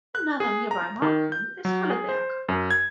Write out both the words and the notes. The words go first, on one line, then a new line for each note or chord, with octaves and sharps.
Another nearby mountain is Halleberg.
F#6
G#4
A#5
D#3
G6
F#3
G#4
C5
F#2
G#6